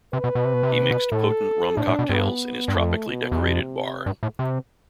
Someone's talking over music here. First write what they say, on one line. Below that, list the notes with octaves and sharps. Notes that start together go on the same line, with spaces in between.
He mixed potent rum cocktails in his tropically decorated bar.
C3 B4
B2
B2
C3
B2
C3
B2
C3
B2
A2 A4
A2 D4
A2
B2
G2 B3
G2
F2 A3
B2
E2
F2 C3
G2
A2
C3